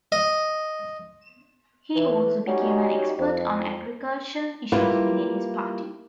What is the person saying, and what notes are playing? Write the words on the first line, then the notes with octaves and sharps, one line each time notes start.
He also became an expert on agricultural issues within his party.
D#5
E3
G3 C#4 D#4 F#4
F2
G3 A#3 E4 F4 B4